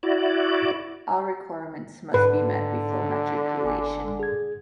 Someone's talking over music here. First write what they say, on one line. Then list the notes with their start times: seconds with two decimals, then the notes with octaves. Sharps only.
All requirements must be met before matriculation.
0.03 E4 F#4 D5
2.14 G#2 D3 B4
3.64 G1 G#5 D6
4.19 G#4 G#6